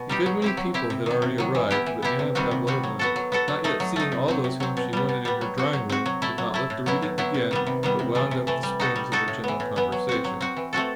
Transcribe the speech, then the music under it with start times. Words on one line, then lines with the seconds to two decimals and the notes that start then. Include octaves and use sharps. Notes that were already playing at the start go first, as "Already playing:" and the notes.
A good many people had already arrived, but Anna Pavlovna, not yet seeing all those whom she wanted in her drawing room, did not let the reading begin but wound up the springs of a general conversation.
Already playing: B2
0.09 G3 D#4 G4
0.26 F#3
0.42 C4 E4 G4
0.57 F#3
0.74 C4 E4 G4
0.90 C3
1.06 D#3 F#3
1.22 C3
1.38 D#3 F#3
1.55 E3
1.71 B3 E4 G4
1.86 E3
2.02 B3 E4 G4
2.19 C3
2.35 D#3 G3 C4 F#4
2.51 C3
2.67 D#3 G3 C4 F#4
2.83 F#3
2.99 B3 F#4 A4
3.16 F#3
3.32 B3 F#4 A4
3.48 F#3
3.64 A3 D#4
3.80 F#3
3.96 A3 D#4
4.12 C3
4.28 F#3 C4
4.44 C3
4.60 F#3 C4
4.77 B2
4.93 G3 B3
5.09 B2
5.25 G3 B3
5.41 F#3
5.58 C4 F#4
5.73 F#3
5.89 C4 F#4
6.06 F#3
6.22 A3 E4
6.38 F#3
6.54 A3 E4
6.70 A2
6.86 F#3 B3 E4
7.02 A2
7.18 F#3 B3 E4
7.34 C3
7.51 D#3 G3 B3
7.67 C3
7.83 D#3 G3 B3
7.99 C3
8.15 E3 A3
8.31 C3
8.47 E3 A3
8.63 G3
8.80 D#4 F#4 A4
8.96 G3
9.12 D#4 F#4 A4
9.28 A2
9.44 E3 B3
9.60 A2
9.76 E3 B3
9.92 F#3
10.09 C4 F#4
10.25 F#3
10.41 C4 F#4
10.57 E3
10.73 A3 C4 F#4 A4